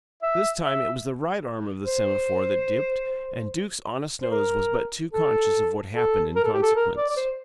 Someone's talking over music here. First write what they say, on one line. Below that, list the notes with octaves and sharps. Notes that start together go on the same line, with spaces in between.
This time it was the right arm of the semaphore that dipped--and Duke's honest nose was but too conscious of what happened in consequence.
E5
E5
C5
C5
A#4
A4
A4
A#4
A4
G4
A4
A#4
D5
D5
C5